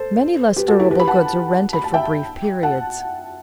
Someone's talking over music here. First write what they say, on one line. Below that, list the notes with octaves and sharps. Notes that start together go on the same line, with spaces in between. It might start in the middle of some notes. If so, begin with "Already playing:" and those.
Many less durable goods are rented for brief periods.
Already playing: A4 C5
G4 B4
F#4 A4
E4 G4
G4 B4
B5
F#5 A5
B5
A5
E5 G5
F#5 A5